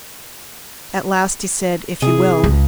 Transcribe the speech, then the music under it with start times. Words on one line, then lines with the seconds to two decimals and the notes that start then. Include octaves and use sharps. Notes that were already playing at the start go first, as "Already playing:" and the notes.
At last he said, "If you will."
2.02 C3 E4 G#4
2.44 C#2